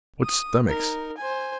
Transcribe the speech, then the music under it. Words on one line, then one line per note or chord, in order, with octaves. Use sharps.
"What stomachs!"
D#6
D#4 A#4
C5 G#5